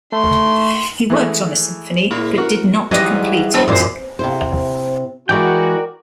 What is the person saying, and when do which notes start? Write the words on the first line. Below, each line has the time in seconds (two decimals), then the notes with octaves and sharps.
He worked on a symphony but did not complete it.
0.12 A3 C6
1.10 E3 G#3 A3
2.11 A#2 E4
2.38 F#4 A#4
2.91 G#2 E3 F#3 G3 G4 B4 D#5
3.54 A#3
3.68 F#2 A#2 E3 G#3 B3 C5
4.19 C3 E4 C5
5.29 E3 G#3 F#4 A#4 D5 G5